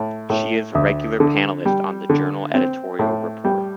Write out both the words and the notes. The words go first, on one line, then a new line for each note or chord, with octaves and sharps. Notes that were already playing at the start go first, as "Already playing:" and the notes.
She is a regular panelist on the "Journal Editorial Report".
Already playing: A2
A2
D2
D3
G3
D3
C4
A2
G3